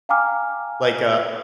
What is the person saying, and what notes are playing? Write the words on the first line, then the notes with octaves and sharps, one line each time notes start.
Like, uh
F5 G5 G#5 A#5 D6 F6